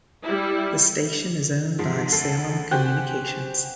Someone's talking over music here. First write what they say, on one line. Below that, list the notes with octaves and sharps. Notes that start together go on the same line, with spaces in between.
The station is owned by Salem Communications.
G3 E4
G#2 F3
D2 A4 C7
F#4 G4 C5 G#5 F#6 G6